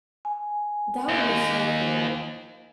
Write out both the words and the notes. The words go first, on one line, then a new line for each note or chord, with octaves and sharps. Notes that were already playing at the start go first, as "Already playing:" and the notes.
That would be so cool.
G#5
D#2